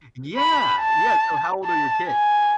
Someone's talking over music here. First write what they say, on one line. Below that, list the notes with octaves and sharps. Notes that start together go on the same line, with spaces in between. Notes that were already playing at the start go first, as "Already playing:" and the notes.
Yeah, yeah. So how old are your kids?
B5
A5
A5
G#5